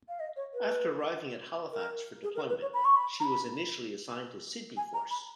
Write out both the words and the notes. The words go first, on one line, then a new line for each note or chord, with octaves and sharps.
After arriving at Halifax for deployment, she was initially assigned to Sydney Force.
F5
D#5
C#5
B4
A#4
G#4
A#4
B4
C#5
B5
C#6
B5
A#5
B5
G#5
A#5
B5